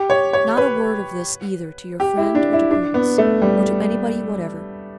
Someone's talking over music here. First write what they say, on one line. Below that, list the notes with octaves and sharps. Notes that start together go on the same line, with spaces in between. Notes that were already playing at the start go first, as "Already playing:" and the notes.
"Not a word of this either to your friend or to Prudence, or to anybody whatever."
Already playing: G4
C#5
C#5
B4
G4
E4
D4
E4
D4
B3
A3
G3